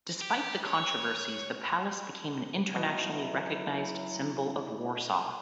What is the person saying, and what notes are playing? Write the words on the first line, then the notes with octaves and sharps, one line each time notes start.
Despite the controversies, the Palace became an internationally recognized symbol of Warsaw.
G4
C#5
B2 F#3 E4